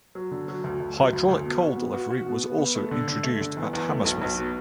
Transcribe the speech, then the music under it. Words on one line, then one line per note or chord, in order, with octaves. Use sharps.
Hydraulic coal delivery was also introduced at Hammersmith.
F#3
D3
F#3
D2
D2
F#3
D2
D2
B2
F#4
B3
F#4
F#4
B2
B3
B3
A3
D3
D3
A3
D3
E2
E2
A3
B1
B1
B2